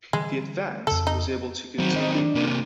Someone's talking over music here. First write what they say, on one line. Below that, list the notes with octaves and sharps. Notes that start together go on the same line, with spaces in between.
The advance was able to continue.
D3 E3 G3 G#3
F2 C#3 A4
D#4
D#3 F#3 C4
D#5
D4
C3 A#3